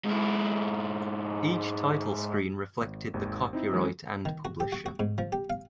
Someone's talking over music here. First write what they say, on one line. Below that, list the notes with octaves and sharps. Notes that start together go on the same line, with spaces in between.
Each title screen reflected the copyright and publisher.
G#2 E4
G#1
G#1 D#2 G#2
C4 D#4 E4
E3 F#3 G#3 C4 C#4
D#3
F#4
G4
F#4
F#4
G#2
F3
G4
F5